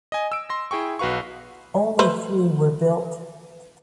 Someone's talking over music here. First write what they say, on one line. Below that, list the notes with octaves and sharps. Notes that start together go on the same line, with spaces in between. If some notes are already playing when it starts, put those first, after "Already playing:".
Only three were built.
D#5 G#5
E6 D7
C6 A#6
E4 G#4 G5 C#6
B1 F#4 B4 F5 C#6
A3 B4 C5